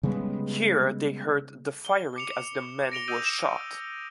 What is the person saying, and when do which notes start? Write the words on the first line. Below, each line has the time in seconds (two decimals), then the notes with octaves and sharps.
Here, they heard the firing as their men were shot.
0.03 C#3 G3 G#3 B3
1.85 G7
2.16 D6 C#7 F7
2.92 A#6 D7 F7 G7
3.08 D#6 E6 G6 D7 D#7 G7